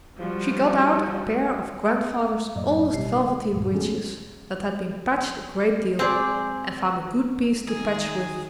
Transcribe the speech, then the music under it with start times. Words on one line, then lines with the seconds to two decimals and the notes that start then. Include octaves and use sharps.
She got out a pair of Grandfather's oldest velveteen breeches that had been patched a great deal, and found a good piece to patch with.
0.17 F3 G3 F#4
2.55 F#2 A2 F#3 A#3 D5 D#5
2.94 G1 B2 G3 G4 C7
3.24 C#3
3.53 C#2 G2 A#2 D#3
3.74 G#3 A3 B3 C#4 G#4 A4
5.99 G#3 C4 G#4 D5
7.69 D#3 G#4